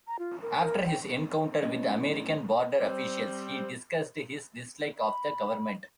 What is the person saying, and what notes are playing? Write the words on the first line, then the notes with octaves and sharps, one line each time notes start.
After his encounter with American border officials, he discussed his dislike of the government.
A#5
F4
A#4
A#4
G5
F#2 A2 B3 C#4 B4 D#5
G3 C4
B5